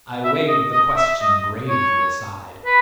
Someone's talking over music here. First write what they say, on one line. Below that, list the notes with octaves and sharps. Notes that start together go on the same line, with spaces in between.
I waived the question gravely aside.
E5
D#5
D#5
E5
D#5
C#5
B4